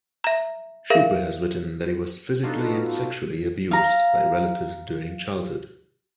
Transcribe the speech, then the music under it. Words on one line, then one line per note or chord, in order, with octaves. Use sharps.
Shupe has written that he was physically and sexually abused by relatives during childhood.
E5 A#5
G#4 A#4 E5 F5
B3 D4 D#4 F4 F#4 A4
F5 A#5